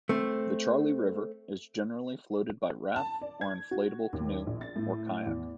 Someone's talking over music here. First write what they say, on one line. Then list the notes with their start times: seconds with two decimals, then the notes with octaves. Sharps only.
The Charley River is generally floated by raft or inflatable canoe or kayak.
0.09 A3 C4
2.96 A5
3.21 D5
3.41 G#6
3.71 F#4
4.13 D#2
4.47 A#1
4.61 A6
4.76 A2
5.26 E2